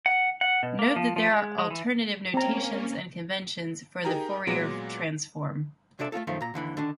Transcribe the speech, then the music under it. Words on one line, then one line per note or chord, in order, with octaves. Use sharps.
Note that there are alternative notations and conventions for the Fourier transform.
F#5
F#5
B2
A#3
F3
F3
G#3
G#3
E3
A#3 C4 C#4 A#5
D#4 G4 G#4 A#4 A#5
A#2 F#3 G#3 B3 A#6
C#2 C3 D4 A4 D5 E5
A3 C4 F4 A4
F#2 D#3 F3 A3 F4
A#2 A#5
D#2 D3 E3 B5
D3 D#3 D4